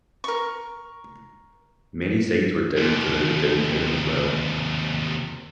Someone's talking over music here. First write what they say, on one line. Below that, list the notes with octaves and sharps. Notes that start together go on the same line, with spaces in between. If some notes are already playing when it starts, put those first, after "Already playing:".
Many signs were downed throughout downtown as well.
A#4 C#6
D#2 C3